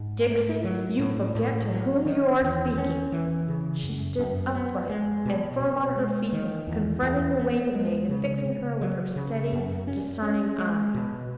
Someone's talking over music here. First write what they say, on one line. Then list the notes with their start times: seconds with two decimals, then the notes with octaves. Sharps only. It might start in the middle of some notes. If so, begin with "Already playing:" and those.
'Dixon! you forget to whom you are speaking.' She stood upright and firm on her feet now, confronting the waiting-maid, and fixing her with her steady discerning eye.
Already playing: G#2
0.29 A3
0.64 F#3
0.99 A2
1.35 A2
1.70 F#3
2.05 D#3
2.41 E2
2.78 C#4
3.12 E3
3.48 C#3
3.83 F#2
4.18 F#2
4.55 B3
4.89 G#3
5.25 B2
5.61 B2
5.96 G#3
6.32 D#3
6.67 E2
7.03 E2
7.39 B3
7.74 G#3
8.09 C#3
8.46 C#3
8.81 F#3
9.16 C#3
9.52 F#2
9.87 C#4
10.22 C#4
10.58 G#3
10.94 B2